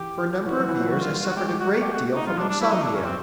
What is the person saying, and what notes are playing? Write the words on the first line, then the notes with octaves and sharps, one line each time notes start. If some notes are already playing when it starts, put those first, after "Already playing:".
For a number of years I suffered a great deal from insomnia.
Already playing: E3 G4
E3 F#4
F#3
E3
F#3
G3 F#4
F4
F4
F#4
G#3 G4
G4
F#4
A3 G4
F#4
D#4
G3 F4
D4
D4
E4
F#3 D#4
D4
C#4
C4